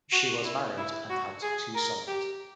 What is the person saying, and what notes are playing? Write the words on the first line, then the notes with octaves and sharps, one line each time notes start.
She was married and had two sons.
F#4
E4
E4
F#4
G#4
A#4
G4